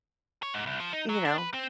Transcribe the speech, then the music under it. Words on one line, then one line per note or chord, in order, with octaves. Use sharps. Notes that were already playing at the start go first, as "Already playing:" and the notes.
you know
C#5
G#2
C2
F3
D#4
F#3
D4
B4
C4